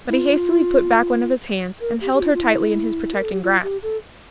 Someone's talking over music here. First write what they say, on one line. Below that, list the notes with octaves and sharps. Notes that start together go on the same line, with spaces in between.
But he hastily put back one of his hands, and held her tightly in his protecting grasp.
E4
F4
A#4
G4
G4
F4
F4
E4
A#4
A4
G4
F4
G4
A4